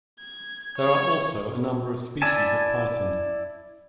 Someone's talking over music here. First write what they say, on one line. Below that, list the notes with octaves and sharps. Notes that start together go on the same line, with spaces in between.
There are also a number of species of python.
G#6
C#5
E4 D5 E5 G#5 A5